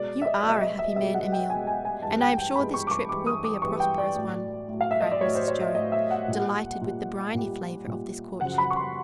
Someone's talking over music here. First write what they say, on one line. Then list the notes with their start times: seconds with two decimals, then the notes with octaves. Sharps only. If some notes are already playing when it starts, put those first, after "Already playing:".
You are a happy man, Emil, and I'm sure this trip will be a prosperous one,' cried Mrs Jo, delighted with the briny flavour of this courtship.
Already playing: B2 G#3 D5
0.22 E5
0.25 D#5
0.43 B2 G#3 E5
0.56 E5
0.61 D#5
0.79 E5
0.96 B2 G#3 E5
1.14 F#5
1.32 G5
1.50 B2 G#3 G#5
1.67 G#5
1.85 G#5
2.02 G2 E3 G#3 A5
2.21 G5
2.38 G5
2.55 G2 E3 G#3 B5
2.74 C#6
2.87 D6
2.91 C#6
3.09 G2 E3 G#3 D6
3.26 D#6
3.44 D6
3.62 G2 E3 G#3 C#6
3.80 G5
3.98 D5
4.15 A2 F#3
4.68 A2 F#3
4.81 F5
4.91 E5
5.01 D#5
5.12 D5
5.21 A2 F#3 C#5
5.35 C5
5.48 C#5
5.61 E5
5.75 A2 F#3 D#5
5.92 E5
6.11 F#5
6.28 A#2 G3
6.81 A#2 G3
7.35 A#2 G3
7.87 A#2 G3
8.40 F#2 C#3 F3 F#5
8.58 B5
8.71 C#6
8.76 C6